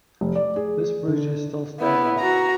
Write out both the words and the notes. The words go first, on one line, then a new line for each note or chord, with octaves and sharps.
This bridge is still standing.
F1
D5
G#4
D3
B3 E4
F#4 A#5